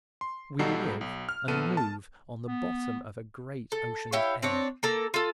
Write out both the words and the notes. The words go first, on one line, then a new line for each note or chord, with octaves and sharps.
We live and move on the bottom of a great ocean of air.
C6
B1 G3 D#4 F#4 A4 C7
B1
F6
A#1 B3 A4 D#7
A5
B3
A4
E4 G4 C#5 F5
C4 D4 C#5
A#3 A4 A#5
F4 A4